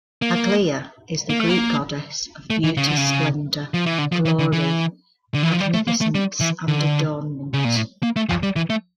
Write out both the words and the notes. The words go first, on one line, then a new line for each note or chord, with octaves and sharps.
Aglaea is the Greek goddess of beauty, splendor, glory, magnificence, and adornment.
A#3
A#3
A3
A#3
A3
E3
C#3
D3
C#3
F3
E3
D3
F3
E3
D3
E3
D3
E3
F3
G3
A3
A#3
A3
G3
E3
D3
C#3
A#2
A2
A#3
A3
F3
G3
E3
A3